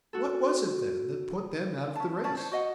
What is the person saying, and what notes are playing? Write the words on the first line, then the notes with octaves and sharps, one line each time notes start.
What was it then, that put them out of the race?
F#4 A4
C#4 A5
C#4 D5 A5
C5 C#5
F#4 D#5 F#5